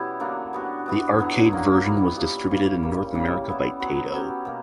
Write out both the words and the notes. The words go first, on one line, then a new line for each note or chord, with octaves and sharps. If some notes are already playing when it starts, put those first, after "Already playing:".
The arcade version was distributed in North America by Taito.
Already playing: B2 E3 G3 B3 C#4 E4 G4
D3 F#3 A#3 D4
G3 B3 F#4
E3 B3 D4
D3 F#3 B3 E4
F#3 A#3 C#4 F#4
E3 G3 B3
A#2 G3 A#3
C#3 E3 A#3 C#4
C#3 G3 A#3
C#3 E3 G3 A#3
G3 B3 E4
F#3 B3 F#4
F#3 C#4 G4
B2 A#3